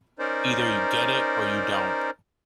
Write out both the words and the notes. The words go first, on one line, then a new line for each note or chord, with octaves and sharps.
Either you get it or you don't.
C#4 D#4 A#4 C5 D5